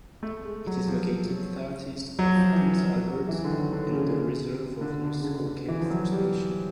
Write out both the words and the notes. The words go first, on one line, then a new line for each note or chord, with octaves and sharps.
It is located southeast of Prince Albert and the reserve of Muskoday First Nation.
A3
G#3
F#3
F3
F#3
F3
E3
F3
F#3
F#3
E3
D3
D#3
D3
C#3
D3
D3
C#3
D3
D3
E3
F3
F#3
G3